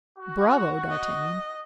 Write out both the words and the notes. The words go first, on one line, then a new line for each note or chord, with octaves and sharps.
Bravo, d'Artagnan!
F#4
D#5